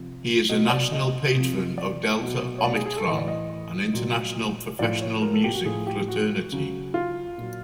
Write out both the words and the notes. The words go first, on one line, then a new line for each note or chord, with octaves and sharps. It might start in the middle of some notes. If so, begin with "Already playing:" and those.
He is a National Patron of Delta Omicron, an international professional music fraternity.
Already playing: C3 F3
B2 F#3 D#5
D5
D#5
C3 F3
D5
B2 F#3
C#5
D5
G#4
G#4
A4
A2 E3 D#5
D5
D#5
A#2 F#3
A2 F3 D5
C#5
A#4
A4
G4
F#4
A2 F3 G#4
G4
F#4
C#3 F#3
F4
A#2 F#3